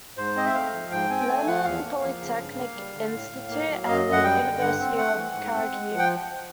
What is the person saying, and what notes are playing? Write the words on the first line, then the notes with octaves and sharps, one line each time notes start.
Lenin Polytechnic Institute, and the University of Kharkiv.
G#2 C5
C4 D#5
E5
A3 F5
F3
G#2 G5
C4 G#5
G5
A3 G#5
F3 F#5
E2 F5
A#3
F3
C#3
G2
A#3
G3
D3
A2
A2
A#3
F#3
F#2 D#5
F#2
F#5
G3 G5
D3
G2 F#5
C4
A3 F#5
E3
G#2
C4
G#3
F3
G5